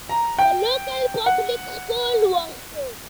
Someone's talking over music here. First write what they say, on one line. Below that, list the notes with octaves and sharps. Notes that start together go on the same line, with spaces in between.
The local public school was good.
A#5
G5
F#5